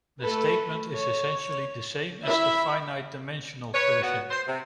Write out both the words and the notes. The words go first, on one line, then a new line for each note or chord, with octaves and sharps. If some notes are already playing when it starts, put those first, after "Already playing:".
The statement is essentially the same as the finite-dimensional version.
A3 A4 B4
C#5
E4 E5 B5
B4 C#5
A#2 B3 F#4 F#5
C5
C3